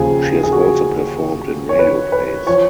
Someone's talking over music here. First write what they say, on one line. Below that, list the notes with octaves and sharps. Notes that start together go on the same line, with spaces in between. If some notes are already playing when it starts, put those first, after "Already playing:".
She has also performed in radio plays.
Already playing: D#2 C#3 F3 G#4
G#4
F#4
G#4
C#5
B4
B4
F3 C#5